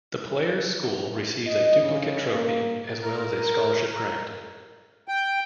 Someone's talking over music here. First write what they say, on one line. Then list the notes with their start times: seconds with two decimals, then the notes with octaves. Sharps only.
The player's school receives a duplicate trophy, as well as a scholarship grant.
1.46 D#5
1.80 C#3
2.34 A#3
3.02 A#4
5.08 G5